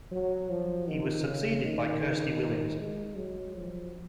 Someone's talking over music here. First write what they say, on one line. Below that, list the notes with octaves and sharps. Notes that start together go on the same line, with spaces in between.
He was succeeded by Kirsty Williams.
F#3
F3
D#3
C#3
D#3
G#3
F#3
F3